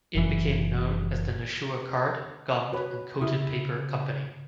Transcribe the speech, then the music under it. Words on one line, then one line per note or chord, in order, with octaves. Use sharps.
It became known as the Nashua Card, Gummed and Coated Paper Company.
F#1 E3
F#4 B4 C#5
C#3 E4 D#6